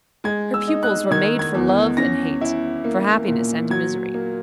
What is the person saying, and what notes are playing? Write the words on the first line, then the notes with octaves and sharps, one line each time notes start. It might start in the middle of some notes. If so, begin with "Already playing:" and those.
Her pupils were made for love and hate, for happiness and misery.
G#3 G#6
E6
D#4
F#6
D#3 G#6
G#6
E2
C#4 A#6
E4
A#3
A#2
F#3 G#6
A#3